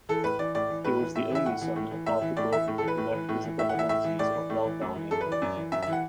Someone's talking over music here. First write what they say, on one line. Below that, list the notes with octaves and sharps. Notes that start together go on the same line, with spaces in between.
He was the only son of Arthur Gordon who married Isabella Menzies of Balgownie.
E3 A4
A2 B4
E3 D5
A2 D5
E3
A2 B4
E3
A2 E5
E3 E5
A2 F#5
E3
A2
E3
A2 E5
E3
A2 D5
E3 E5
A2
A4
E3
B4
A2
E3
A2
E3
A2 E5
F#5
E3 E5
A2 E5
E3
A2 D5
E3
A2
E3
F#2
E3
F#2 A4
B4
E3
D5
F#2
E3
F#2 E5
E5
E3
F#5